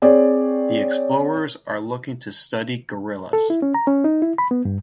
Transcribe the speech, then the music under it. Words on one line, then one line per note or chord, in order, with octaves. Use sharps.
The explorers are looking to study gorillas.
C4 G#4 C#5 D5
A4
E4
C#4
A#5
C#4
D#4
E4
B5
B3
G2